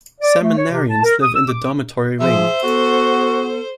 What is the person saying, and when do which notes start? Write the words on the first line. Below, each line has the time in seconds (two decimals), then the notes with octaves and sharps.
Seminarians live in the dormitory wing.
0.21 D5
0.41 A3
0.57 C#5
0.71 C3
0.90 A5
1.03 A#4
1.22 D#6
1.34 E6
1.49 D6
2.20 F3 G#4 C5 E5
2.63 B3 F#4 A4